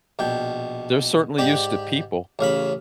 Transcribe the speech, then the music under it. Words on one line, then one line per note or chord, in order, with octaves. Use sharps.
they're certainly used to people.
A#1 B2 G5
G#2 G4 D5
A1 C#3 F5 B5